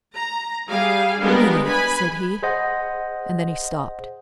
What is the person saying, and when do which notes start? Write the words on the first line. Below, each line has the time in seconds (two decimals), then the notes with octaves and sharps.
"Lily," said he; and then he stopped.
0.14 A#5
0.68 G3 G#4 F5
1.21 G3 G#3 B3 D4 A#4
1.64 B4 G#5 B5
2.43 G#4 C5 D#5 F#5